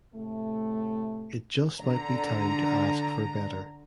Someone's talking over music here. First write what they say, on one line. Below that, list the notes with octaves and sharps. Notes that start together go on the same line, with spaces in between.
It just might be time to ask for better.
A2 C3 A3
D3 A#5